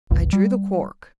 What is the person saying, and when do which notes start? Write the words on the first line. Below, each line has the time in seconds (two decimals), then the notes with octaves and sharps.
I drew the cork.
0.11 G1 C#2
0.33 G3